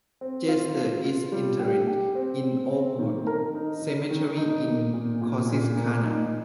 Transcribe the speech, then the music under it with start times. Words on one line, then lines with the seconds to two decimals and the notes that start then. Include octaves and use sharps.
Jester is interred in Oakwood Cemetery in Corsicana.
0.21 C4
0.49 F4
0.76 F4
1.05 F4
1.32 G3
1.60 G4
1.87 G4
2.15 C4
2.44 C4
2.72 C4
2.99 D#3
3.27 A#4
3.54 D#4
3.82 D#3
4.11 D#3
4.38 D#4
4.66 A#3
4.94 A#2
5.22 A#2
5.49 A#2
5.77 A#3
6.04 D#4